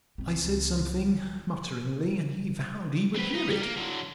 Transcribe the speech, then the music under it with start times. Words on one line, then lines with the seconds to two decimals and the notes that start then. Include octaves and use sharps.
I said something mutteringly, and he vowed he would hear it.
0.18 C#2 C4
3.16 C4 B4
3.35 D#4
3.50 G3
3.63 A#3
3.77 D3 F#3